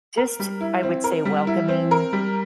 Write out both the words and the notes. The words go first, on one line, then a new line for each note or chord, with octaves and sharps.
just, I would say, welcoming,
A#4
G3
E4
C4
A#4
G3
E4
C4
A#4
G3